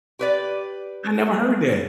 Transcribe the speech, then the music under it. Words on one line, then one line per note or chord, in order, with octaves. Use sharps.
I never heard that.
G4 B4 D5